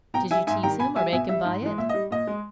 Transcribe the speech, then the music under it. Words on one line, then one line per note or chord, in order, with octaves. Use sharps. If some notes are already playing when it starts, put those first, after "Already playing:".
"Did you tease him, or make him buy it?"
B2 G5 A#5
G3 E5 G#5
G#2 E5 G#5
D#3 G3 G5 A#5
B2 G#5 B5
G3 E5 G#5
B2 E5 G#5
G3 E5
G#2
E3 G#3
A#2 E5
G3 D#5
A#2 D#5
G#3